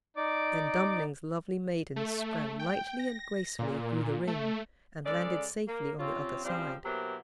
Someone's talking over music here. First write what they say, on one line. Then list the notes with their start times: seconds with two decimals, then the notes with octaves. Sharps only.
Then Dummling's lovely maiden sprang lightly and gracefully through the ring, and landed safely on the other side.
0.17 D#4 D5 D6
1.96 A3
2.59 G5
2.99 A#6
3.59 A#2
4.27 A3
5.05 C#3 G#3 A4 D5
5.68 A#3
5.99 C3 C4 C#4 F4
6.45 C#3 F3 G3 C4
6.84 B2 F#3 A#3 E4 G4 C5